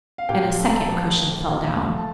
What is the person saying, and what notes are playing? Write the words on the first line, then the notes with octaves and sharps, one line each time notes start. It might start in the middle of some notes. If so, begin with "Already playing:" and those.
And a second cushion fell down.
F5
A#2 G4 G5
A3
A#5
A4 A5
A#1
A#1
A#2
A3
A5